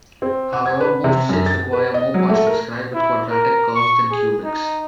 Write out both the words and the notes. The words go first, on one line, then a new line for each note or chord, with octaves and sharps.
However, most shapes require more points to describe with quadratic curves than cubics.
C4
F#5
G#6
B4
C3
F#2
A6
B4
D#5
F#3
A3
A#4
E4
A#4
C#6
G#4
D#4